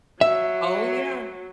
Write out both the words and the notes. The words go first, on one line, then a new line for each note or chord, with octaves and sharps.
Oh, yeah.
F#3 E5